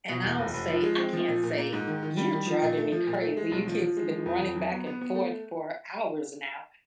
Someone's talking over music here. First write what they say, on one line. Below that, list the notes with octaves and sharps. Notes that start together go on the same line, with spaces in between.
and I'll say, I can't say, "You're driving me crazy. You kids have been running back and forth for hours now,"
B2
E2
F1
F1
F3
G#3
C4
F3
A#2
A#2
A#3
G#2
D#3
D#3
G3
D#3
F3
A#2
A3
F3
A#2
A3
G#3
B1
F3
F3
G#3
F3
F2
F2
F#3
B3
B3
B3
A3